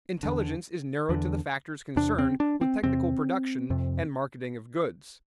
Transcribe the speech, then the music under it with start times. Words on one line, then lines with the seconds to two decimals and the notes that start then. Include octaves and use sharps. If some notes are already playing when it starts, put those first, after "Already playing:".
Intelligence is narrowed to the factors concerned with technical production and marketing of goods.
0.23 E2 D3
1.09 E2 D3
1.96 E2 C3 D4
2.18 C4
2.40 D4
2.61 C4
2.83 E2 C3 C4
3.70 F2 C3